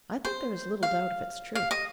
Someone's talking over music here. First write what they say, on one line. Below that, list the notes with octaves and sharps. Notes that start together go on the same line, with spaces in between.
I think there is little doubt of its truth.
C5
F5
F5
D#5